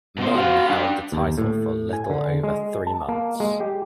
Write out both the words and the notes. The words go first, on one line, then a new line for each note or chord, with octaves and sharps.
Munn held the title for a little over three months.
B2 C5
F#4 F5
D4 G4
D#2
A2
G#5
D3
G#3
A5
A#3
G#3
G4